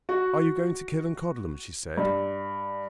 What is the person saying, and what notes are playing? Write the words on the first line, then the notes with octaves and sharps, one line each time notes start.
"Are you going to Killancodlem?" she said.
F#4
G2